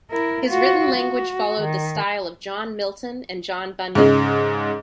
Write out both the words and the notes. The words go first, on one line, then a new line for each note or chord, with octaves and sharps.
His written language followed the style of John Milton and John Bunyan.
E4 A#4
F4 F#4
F#4
D#3
G#2 C#3 G#3